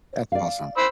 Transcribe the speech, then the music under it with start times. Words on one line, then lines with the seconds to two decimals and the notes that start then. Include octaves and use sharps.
That's awesome.
0.32 D5 F5
0.77 C5 B5 E6